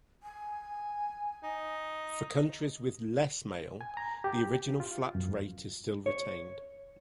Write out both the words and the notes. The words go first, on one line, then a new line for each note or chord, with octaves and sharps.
For countries with less mail, the original flat rate is still retained.
G#5
D#4
G#5
A#5
G4
F4
F#2
C#5